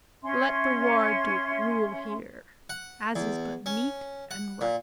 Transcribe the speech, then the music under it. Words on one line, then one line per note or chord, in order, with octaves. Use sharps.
Let the War-duke rule here, as is but meet and right.
C#4 E5 C6
F#5
E2
C#4
F#5
A#2